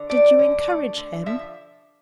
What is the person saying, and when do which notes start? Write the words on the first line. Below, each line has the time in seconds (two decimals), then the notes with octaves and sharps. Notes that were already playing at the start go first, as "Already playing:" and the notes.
"Did you encourage him?"
Already playing: D3
0.09 A3 D5
0.39 D3
0.67 A3
0.97 D3
1.26 F3 E5